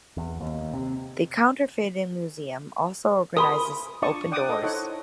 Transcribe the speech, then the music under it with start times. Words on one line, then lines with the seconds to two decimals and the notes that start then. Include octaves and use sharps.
The Counterfeiting Museum also organizes Open Doors.
0.17 E2
0.41 D#2
0.73 C3
3.37 A#4 G#5 B5 C6 D#6
4.02 D4 F4 D5 A5 C#6 D#6
4.32 D5 F#5 G5 D6 D#6
4.49 A4 D#5
4.63 D#4 E4 A4 C5 C#5 F#5